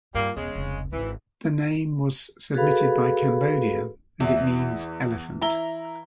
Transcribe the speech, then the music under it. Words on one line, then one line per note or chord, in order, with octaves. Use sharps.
The name was submitted by Cambodia, and it means elephant.
G2 A#2 G3 A#3
E1 C#3 G#3
F1 C#2
G#1 E3
F#4 G#4 A4 B4 F5 B5
E2 E3
E4 A#5 G7